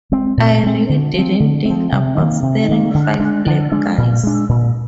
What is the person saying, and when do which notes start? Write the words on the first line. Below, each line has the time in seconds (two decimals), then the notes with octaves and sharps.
I really didn't think about starting five black guys.
0.12 G#3 C4
0.37 A#2
0.63 G#3 C4
0.89 D3
1.14 F3 C4
1.40 D3
1.66 F3 C4
1.92 C3
2.18 D#3 A#3
2.43 C3
2.69 D#3 A#3
2.94 D3
3.20 G#3 D4
3.46 D3
3.72 G#3 D4
3.98 A#2
4.23 G#3 D4
4.49 A#2